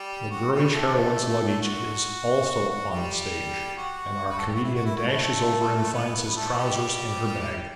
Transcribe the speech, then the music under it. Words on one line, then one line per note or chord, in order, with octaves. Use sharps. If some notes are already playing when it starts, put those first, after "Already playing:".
The girlish heroine's luggage is also on the stage, and our comedian dashes over and finds his trousers in her bag.
Already playing: G3 G4
F#4
G3 G4
A3 A4
F#4
F#4
F#4
G3 G4
F#4
B4
A4
G4
F#4
E4
F#4
E4
F#4
A3 A4
B3 B4
B3 B4
A3 A4
F#4
G3 G4